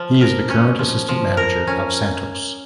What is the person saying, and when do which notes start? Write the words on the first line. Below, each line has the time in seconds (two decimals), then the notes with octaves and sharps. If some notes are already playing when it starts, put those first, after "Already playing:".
He is the current assistant manager of Santos.
Already playing: F3
0.21 A#4
0.50 C#4
0.79 F3
1.09 F3
1.37 A#4
1.67 C#4